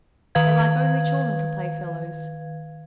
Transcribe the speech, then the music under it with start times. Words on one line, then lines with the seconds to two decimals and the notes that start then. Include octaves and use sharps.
They like only children for playfellows.
0.35 D#3 B4 F5 G#6